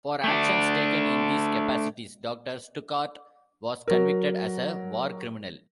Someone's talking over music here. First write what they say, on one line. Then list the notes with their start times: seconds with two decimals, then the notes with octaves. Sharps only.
For actions taken in these capacities, Doctor Stuckart was convicted as a war criminal.
0.24 A3 D4
3.88 F#3 A#4